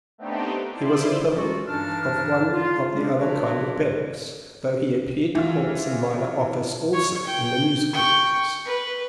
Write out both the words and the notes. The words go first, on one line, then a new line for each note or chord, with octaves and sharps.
He was a pillar of one of the other kind of banks, though he appeared to hold some minor office also in the musical ones.
A3 B3 C4 D4 D#4 G4
E4 F4 C5 D5
C#4 D#4 F4 F#4 A4
G2 E3 D4 D#4 A5 F6
F4
G#3 D4
F3 D4 F#4 A#4 B4 C#5
E3 F4
C#5
G5
G5 C#6
B4